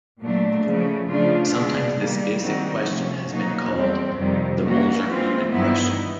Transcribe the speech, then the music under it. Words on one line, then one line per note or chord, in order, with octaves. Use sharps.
Sometimes this basic question has been called "the Moser-Neumann question".
A#2 F#3 A3 D4
C#3 F3 A3
C#3 F3 A3 D4 F4
B2 G#3 B3 D4
D#3 G3 A#3
D#3 G3 C4 D#4 F#4
C3 F3 A3 C#4
B2 F#3 A#3 D#4 F#4
E2 B2 G3 C4
F2 C3 D#3 G3
D#3 G3 A#3 C#4 F#4
E3 G#3 C4 F4
G2 D#3 F#3 B3 E4